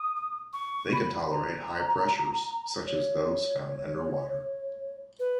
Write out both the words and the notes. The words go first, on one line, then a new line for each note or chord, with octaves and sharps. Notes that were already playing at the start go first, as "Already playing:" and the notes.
They can tolerate high pressures, such as those found under water.
Already playing: D#6
C#6
B5
A#5
C#5
B4